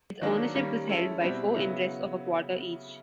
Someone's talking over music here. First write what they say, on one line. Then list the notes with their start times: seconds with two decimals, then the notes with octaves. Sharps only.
Its ownership was held by four interests of a quarter each.
0.21 D#3 F#3 A#3 D4
0.55 D#3 G3 A#3 C#4
0.87 G#3 C#4 E4 A4
1.21 B2 G3 C4 E4
1.54 C#3 F#3 B3 E4